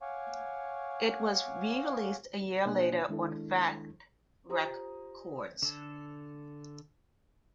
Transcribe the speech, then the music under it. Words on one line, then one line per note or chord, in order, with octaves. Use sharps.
It was re-released a year later on Fat Wreck Chords.
C#5 F5 F#5 G#5 C#6 D6
B2 A#3 D4 D#5 G#5 F#6
D#3 G#3 D4 E4 A4
F4 G4 C5 A#5 D#6
D3 A4